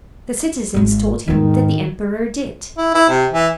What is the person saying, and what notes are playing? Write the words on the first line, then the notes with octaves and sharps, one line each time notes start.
The citizens told him that the emperor did.
G#1 G#3
E2 G#2 D#3
E4
E4
C3
E3